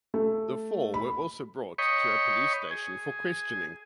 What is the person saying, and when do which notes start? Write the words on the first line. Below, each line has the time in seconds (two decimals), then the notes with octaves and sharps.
The four were also brought to a police station for questioning.
0.14 A3
0.94 B5
1.78 C#5 D#5 G5 B5 C#6
2.71 G#4